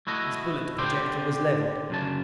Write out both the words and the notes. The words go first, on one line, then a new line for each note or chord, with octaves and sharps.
His bullet projector was leveled.
A3 E4 F#4 D#5
D3 G4 C5 G5
F#2 C#3 A5